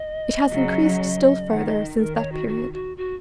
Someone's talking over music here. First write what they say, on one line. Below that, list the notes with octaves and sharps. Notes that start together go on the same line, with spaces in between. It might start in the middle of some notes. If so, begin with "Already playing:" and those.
It has increased still further since that period.
Already playing: D#5
C#3 F#3
D#3 F#5
D#5
D#3 A#4
C#5
F#4
F#4
F#4
F#4